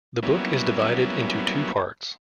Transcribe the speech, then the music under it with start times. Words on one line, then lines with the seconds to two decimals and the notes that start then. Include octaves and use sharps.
The book is divided into two parts.
0.23 F#3 G3 A#3 B3 C#4 E4